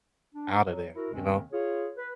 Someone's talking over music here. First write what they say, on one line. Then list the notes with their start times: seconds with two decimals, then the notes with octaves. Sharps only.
out of there, you know?
0.35 D4
0.64 F#3
0.95 E4 F#4 A#4
1.12 D#2 C3 D#3 G#3 C4 C#4
1.52 F4 G#4 C#5
1.97 B4